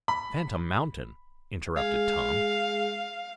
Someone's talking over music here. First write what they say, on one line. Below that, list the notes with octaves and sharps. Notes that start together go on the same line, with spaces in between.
"Phantom Mountain?" interrupted Tom.
B5
G#3 G#4 F5